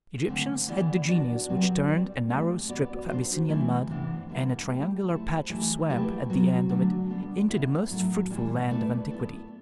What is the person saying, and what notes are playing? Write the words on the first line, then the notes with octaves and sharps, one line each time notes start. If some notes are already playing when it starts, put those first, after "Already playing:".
Egyptians had the genius which turned a narrow strip of Abyssinian mud and a triangular patch of swamp at the end of it into the most fruitful land of antiquity.
D3 A3 C4
E3 B3 E4 G4 D5
B3 D4 F#4 B4 D5
B2 F#3 C4 G4 B4
G3 C4 G4 D5
A3 C4 G4
B3 F#4 B4 D5
B3 D4 F#4 C5
E3 A3 C4 E4
C3 E3 B3 D4
D3 G3 B3 E4
A3 E4 G4
A3 E4 A4 C5
E3 A3 E4 G4
B2 A3 E4 G4 B4
C3 F#3 B3 F#4
D3 F#3 A3 D4 F#4
B2 G3 B3 D4 A4
C3 G3 B3 E4 A4
A2 F#3 B3 E4 A4
A2 E3 G3 D4
A3 E4 B4 D5
B3 E4 A4